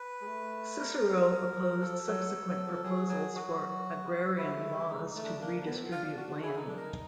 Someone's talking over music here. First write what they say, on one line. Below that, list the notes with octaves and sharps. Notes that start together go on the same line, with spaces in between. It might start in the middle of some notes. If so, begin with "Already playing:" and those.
Cicero opposed subsequent proposals for agrarian laws to redistribute land.
Already playing: B4
G#3
A3
A#4
F3
F#3
F3
F3 A4
F#3
F#3
F3
F#3 G#4
F#3
F#3 F#4
G3 E4
G#3
G3
G#3 D#4
D#4
A3
D4
A#3 D4
A#3 D4
B3
C4
D4 F4
F4
F#4
F#4
E4 G#4
D#4 A4
D4
D#4 A#4